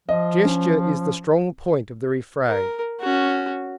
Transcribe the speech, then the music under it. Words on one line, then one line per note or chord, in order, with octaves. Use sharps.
Gesture is the strong point of the refrain.
F3 D#5
C#4
A#4
C#4 F#4